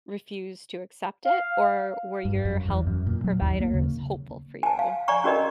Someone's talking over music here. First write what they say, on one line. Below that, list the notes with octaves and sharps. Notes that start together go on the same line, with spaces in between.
refused to accept it, or were your health providers hopeful for you?
F5
G2
F#2
E2
F#2
A#2
F#3
D#2
A#3
C#3
G#5 A5
F5
D5 G#5 A#5 C#6
C#4 F#4 A#4 D5 D#5 A#5